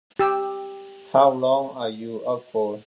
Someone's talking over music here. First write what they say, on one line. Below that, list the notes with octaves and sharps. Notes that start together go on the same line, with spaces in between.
How long are you up for?
G4 E6